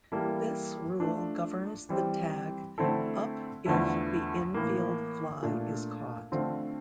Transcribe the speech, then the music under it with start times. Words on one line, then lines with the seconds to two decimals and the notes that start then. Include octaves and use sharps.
This rule governs the tag up if the infield fly is caught.
0.12 E3 G3 A#3 E4 A4
1.00 F3 A3 D4
1.89 E3 G3 C4
2.78 D3 A3 C4 E4 A4
3.66 E2 D3 F3 A3 E4
4.54 A2 E3 A#3
5.42 A#2 A3 D4 A4
6.32 D3 A3 C4 F4